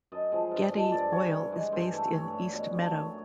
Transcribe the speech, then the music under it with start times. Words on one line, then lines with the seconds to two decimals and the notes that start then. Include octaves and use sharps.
Getty Oil is based in East Meadow.
0.12 F#2 D#5
0.32 C#3 F3 G#3
0.51 G2
0.73 D3 F3 G#3
0.92 G2 D5
1.12 E3 G3 C#5
1.33 G2
1.52 E3 G#3
1.72 G2 C5
1.93 E3 A3
2.13 G2 C#5
2.33 E3 G3
2.53 B2
2.73 F#3 A3
2.93 F#2 C#5